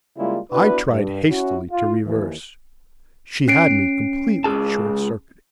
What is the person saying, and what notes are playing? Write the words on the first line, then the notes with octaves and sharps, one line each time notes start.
I tried hastily to reverse; she had me completely short-circuited.
C#3 G3 G#3 A#3 E4 F4
B3 D4 E4 F#4 B4
G2
C#4 E4 F#4
F4
D#2 E3
C#4 C7 D7
C#2 G#4 A5